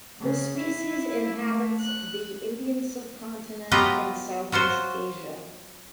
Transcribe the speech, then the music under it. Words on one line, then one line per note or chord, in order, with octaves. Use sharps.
The species inhabits the Indian subcontinent and Southeast Asia.
C#3
E4
A3
F#6
F#3 B3 F4 G4 D#5 A#5
F#3 F4 F#4 C5